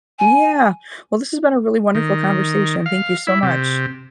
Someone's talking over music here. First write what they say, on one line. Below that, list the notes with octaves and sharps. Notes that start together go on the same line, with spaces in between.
Yeah. Well, this has been a really wonderful conversation, thank you so much.
G#5
D#3
F5
E4
C3